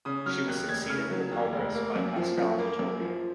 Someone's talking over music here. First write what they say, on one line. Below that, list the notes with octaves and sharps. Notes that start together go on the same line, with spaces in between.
She was succeeded in the Congress by Pascal Vittori.
C#3 D#6
F#3 F6
D#2 F#6
F1 G#6
C#3 F6
F#3
D#2
F1
A#3
F#2
F3
F#2
A#3
F#2
F3